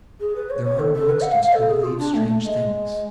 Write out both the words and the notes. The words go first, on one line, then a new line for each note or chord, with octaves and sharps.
There are amongst us, who believe strange things.
G#4
B4
C#5
C#5
A4
A4
B4
F#5
F5
F5
A4
G#4
F4
D4
A3
A3
G#3